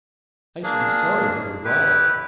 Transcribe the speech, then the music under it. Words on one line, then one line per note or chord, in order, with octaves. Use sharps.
"I should be sorry for the brawler."
A#3 D4 G#4
E4 G4 B4